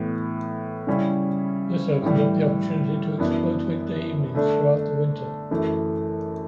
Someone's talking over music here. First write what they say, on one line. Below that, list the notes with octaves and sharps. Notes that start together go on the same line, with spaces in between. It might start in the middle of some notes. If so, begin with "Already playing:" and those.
This opened up the opportunity to exploit weekday evenings throughout the winter.
Already playing: A2 E3 B3
C#3 G3 C#4 E4
A2 E3 G3
F#2 E3 B3 D4
D3 A3 D4
F#2 E3 A3